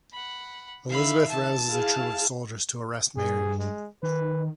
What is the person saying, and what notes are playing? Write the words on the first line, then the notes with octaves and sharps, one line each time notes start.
Elizabeth rouses a troop of soldiers to arrest Mary.
F#5 B5
D#3 E5 F5 B5
A5
E4 G#4 F5
G2 G#4
G#3
D#3 B4